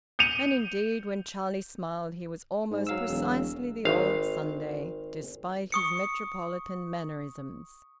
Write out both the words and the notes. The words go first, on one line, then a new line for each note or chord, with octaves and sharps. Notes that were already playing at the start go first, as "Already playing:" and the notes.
And indeed, when Charlie smiled, he was almost precisely the old Sunday, despite his metropolitan mannerisms.
G6 C#7 D#7 F7
G#2
F#3 F5 E6
E1
G#1 F5
C#6 D#6 C#7